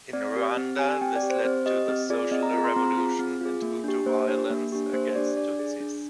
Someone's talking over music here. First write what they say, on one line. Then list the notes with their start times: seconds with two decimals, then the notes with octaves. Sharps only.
In Rwanda, this led to the "Social revolution" and Hutu violence against Tutsis.
0.13 C4 D5
0.36 G4
0.57 C4
0.79 G4 G#5
1.01 C4 G5
1.16 D5
1.23 G4
1.30 C5
1.44 C4 C5
1.66 G4 D#5
1.88 C4
2.09 F4 G#4 D5
2.31 C4 D#5
2.43 A#5
2.53 F4 G#4 A#5
2.64 C6
2.76 C4 A#5
2.98 F4 G#4
3.19 C4
3.41 F4 G#4
3.62 A#3
3.84 D4 G4
4.06 A#3 C5
4.29 D4 G4
4.50 A#3
4.72 D4 G4
4.93 A#3 C5
5.15 D4 G4 D5
5.37 D4 D5
5.59 G#4
5.80 D4